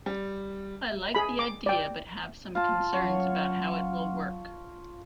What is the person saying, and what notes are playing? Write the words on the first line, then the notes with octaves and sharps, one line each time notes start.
I like the idea but have some concerns about how it will work.
G3
G#4 B5
D6
D5 G5
F4 A5
F#3 C#4 C#5 F#5